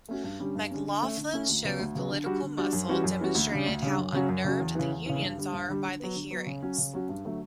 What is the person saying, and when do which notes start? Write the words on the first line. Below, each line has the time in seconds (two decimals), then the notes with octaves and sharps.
McLaughlin's show of political muscle demonstrated how unnerved the unions are by the hearings.
0.09 A3 C#4 F#4
0.24 G2
0.39 D3 G3 C#4
0.55 G2
0.71 D3 G3 C#4
0.87 D3
1.02 A3 C#4
1.17 D3
1.33 A3 C#4
1.49 D2
1.64 C#3 F#3 B3
1.79 D2
1.95 C#3 F#3 B3
2.11 D3
2.26 G3 D4 F#4
2.42 D3
2.58 G3 D4 F#4
2.73 F#2
2.88 E3 G3 C#4 F#4
3.04 F#2
3.20 E3 G3 C#4 F#4
3.35 D2
3.51 C#3 G3 D4
3.66 D2
3.82 C#3 G3 D4
3.98 F#2
4.13 C#3 F#3 C#4 F#4
4.29 F#2
4.44 C#3 F#3 C#4 F#4
4.60 E2
4.75 C#3 E3
4.91 E2
5.06 C#3 E3
5.22 G2
5.37 D3 G3
5.53 G2
5.69 D3 G3
5.84 D3
6.00 F#3 B3
6.15 D3
6.31 F#3 B3
6.47 C#3
6.63 F#3 C#4 F#4
6.78 C#3
6.93 F#3 C#4 F#4
7.09 G2
7.24 D3 F#3 A3